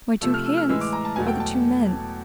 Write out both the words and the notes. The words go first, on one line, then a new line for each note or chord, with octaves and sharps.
My two hands are the two men.
C3 F3 A3 E6
F6
E6
F6
A2 E3 G#3 E6
D6
A#5
A5
E2 B2 F#3 A3 G#5
G5
A5